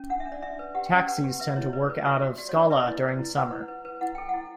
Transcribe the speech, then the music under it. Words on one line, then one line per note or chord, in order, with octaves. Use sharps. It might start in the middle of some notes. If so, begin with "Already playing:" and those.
Taxis tend to work out of Skala during summer.
Already playing: C#4
D4 F#5
E5
D4
D5
D4 E5
B4
G4 F#5
G5
C#4
F#5
B4 F#5
G4
B4 E5
E4 C#5
B4 D5
B4
F#4 E5
F#4
F#4 D5
C#5
D4 D5
B4 E5
E4
B4
E4
B4 F#5
E4
B4
B4
E4 F#5
A4 G5
E4 F#5